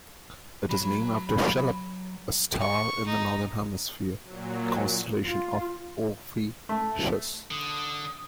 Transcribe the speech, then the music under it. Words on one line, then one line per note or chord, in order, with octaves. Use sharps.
It is named after Cheleb, a star in the northern hemisphere constellation of Ophiuchus.
F#3 B5
C#6
D#4
A#2 F#3
F4
A3
D3 D#6